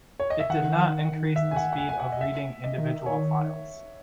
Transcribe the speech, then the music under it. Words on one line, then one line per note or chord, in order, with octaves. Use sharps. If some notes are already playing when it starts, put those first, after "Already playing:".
It did not increase the speed of reading individual files.
C#5
D#5
E5
D#3 F#5
E5
G#5
F#5
F#5
G#5
G#5
F#5
D#5
E5
D#5
D#3
C#5